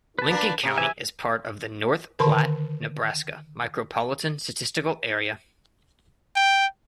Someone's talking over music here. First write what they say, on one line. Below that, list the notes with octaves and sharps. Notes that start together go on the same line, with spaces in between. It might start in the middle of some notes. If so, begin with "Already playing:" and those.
Lincoln County is part of the North Platte, Nebraska Micropolitan Statistical Area.
B4 A5
A#3 D4 A#4
C3
C3 E3 E5 G#5
D3 D#3 A#4 A5 B5 C6
G5